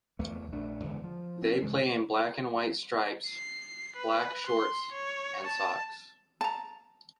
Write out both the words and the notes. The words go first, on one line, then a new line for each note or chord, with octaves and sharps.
They play in black and white stripes, black shorts and socks.
E2 A3 A#3
A#1 A3 D4
E2 D3 G#3
F3
C4 C#4
G2 C#3 E3 G#3
C7
B4
C6
C#5
A5
A5 A#5